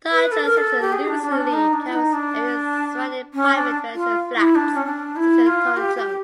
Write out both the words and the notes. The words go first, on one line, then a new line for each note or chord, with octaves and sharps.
Tung Chung Central loosely covers area surrounding private residential flats in central Tung Chung.
B4
A4
A#4
A4
G4
G#4
D4
D4
C#4
D4
D#4
D4
E4
D#4
D4
C#4
D4
F4
E4
D4
C#4
D4
E4
F4
G4
G4